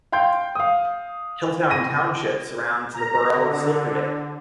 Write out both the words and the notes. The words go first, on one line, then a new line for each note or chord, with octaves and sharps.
Hilltown Township surrounds the borough of Silverdale.
F5 G5 C6 G6
F5 D#6
A#6 D#7
A#5
D3